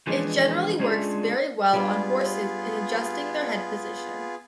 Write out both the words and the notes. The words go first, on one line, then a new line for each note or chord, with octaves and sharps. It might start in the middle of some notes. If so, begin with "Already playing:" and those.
It generally works very well on horses in adjusting their head position.
E3 F3 G#3 B3 D4
G#3 C#4 D4 F4 G4 G#4
G2 G3 B3 F4 G#4